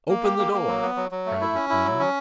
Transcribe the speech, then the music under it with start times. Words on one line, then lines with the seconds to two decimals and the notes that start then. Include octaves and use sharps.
"Open the door!" cried the queen.
0.09 A#3
0.23 G4
0.38 A#3
0.53 A#3
0.67 F#3
0.82 B3
0.96 F#3
1.11 F#3
1.26 A3
1.41 E4
1.55 C#4
1.69 E4
1.84 F#3
1.99 C#4